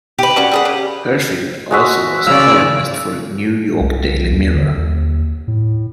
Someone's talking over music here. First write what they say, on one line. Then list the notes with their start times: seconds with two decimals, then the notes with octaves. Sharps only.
Hershfield also was a columnist for the "New York Daily Mirror".
0.19 G4 B4
0.36 G3 C#4 F#4
0.51 G3 G#4 F#5
0.65 C#3
1.71 G#3 F#4 E5
2.27 C#3 D5 F5 E6
3.81 C2
4.32 D#2
4.55 D3
4.78 D#2
5.48 A2